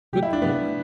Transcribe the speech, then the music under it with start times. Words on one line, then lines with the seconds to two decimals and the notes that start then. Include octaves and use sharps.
Good Lord!
0.13 C3 F#3 A3 G4
0.23 E4
0.33 D4
0.42 C3 F#3 A3 B3